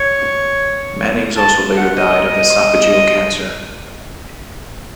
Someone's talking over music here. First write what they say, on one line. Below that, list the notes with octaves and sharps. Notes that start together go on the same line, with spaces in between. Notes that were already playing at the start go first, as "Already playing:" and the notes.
Manings also later died of esophageal cancer.
Already playing: C#5
A5
F#5
D#5
D#5